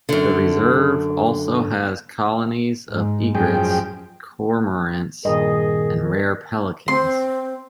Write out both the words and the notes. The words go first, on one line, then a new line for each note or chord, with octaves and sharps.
The reserve also has colonies of egrets, cormorants, and rare pelicans.
F#2 D3
G#2
F#2 F3 G#4 G5
G2 A#2 D#3 G#4 D#5
C4 C6